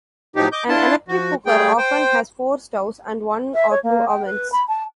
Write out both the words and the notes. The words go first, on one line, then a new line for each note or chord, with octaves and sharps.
An electric cooker often has four stoves and one or two ovens.
A2 F3 F#3 D#4 G4
D#5 D6 G6
D4 E4 F4 A5 C6
F3 F#4
G3 A3 G#4 G5
C5 G5
E5
C#5
A#3
G5
B4
B5
A5